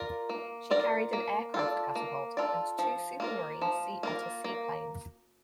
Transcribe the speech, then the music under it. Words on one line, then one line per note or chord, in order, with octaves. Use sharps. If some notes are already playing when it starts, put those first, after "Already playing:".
She carried an aircraft catapult and two Supermarine Sea Otter seaplanes.
Already playing: F4 A#4 D5
A#3
F4 A#4 D5
A#3
F4 A4 D5
A#3
F4 A4 D5
F3
A#3 F4 A#4
F3
A#3 F4 A#4
A#3